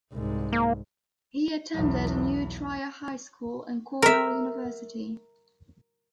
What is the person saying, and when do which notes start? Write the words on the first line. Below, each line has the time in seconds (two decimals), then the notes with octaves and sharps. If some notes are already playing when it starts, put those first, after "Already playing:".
He attended New Trier High School and Cornell University.
0.12 C2 G#2
0.53 A#3
1.74 B1 E2
4.02 A#4 E5